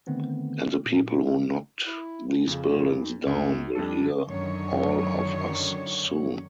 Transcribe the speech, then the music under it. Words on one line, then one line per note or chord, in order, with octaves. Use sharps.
And the people who knocked these buildings down will hear all of us soon!
D3 D#3 A3 B3 C4
A#2
E4
F2 C#3
C#2 F#2
F2 G3 D4 A4
F#2 D3 D#3 F#3 C#5